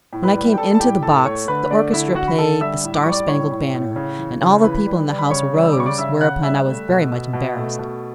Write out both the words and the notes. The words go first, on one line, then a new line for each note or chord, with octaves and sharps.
When I came into the box, the orchestra played the 'Star-Spangled Banner,' and all the people in the house arose; whereupon I was very much embarrassed.
A2
B4 B5
G3
G5
G3 A4 A5
A5
A2 G4 G5
A2 A4 A5
A3 C#5 C#6
D3 B4 B5
A3 D4 D5
D3 E4 E5
D3 F#4 F#5
B5
D3 A4 A5
G3 E5 E6
A2
D6
G3 C#6
D5 D6
A2 C#5 C#6
A2
A2
C#3
E3
C#3
E3 B4 B5
G3
G3
B5
C#3 C#5 C#6
G3
E6
D6
C#3 C#6
D5 D6
C#3 E5 E6
C#3 F#5 F#6
G3 E5 E6
A3
B2
B2
B2
A3
B2